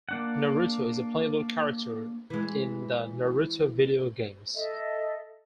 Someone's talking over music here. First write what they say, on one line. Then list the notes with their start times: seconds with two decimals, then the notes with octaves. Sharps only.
Naruto is a playable character in the "Naruto" video games.
0.09 A#3 D4 F#5
2.30 E3 G#3
4.55 A4 D#5 E5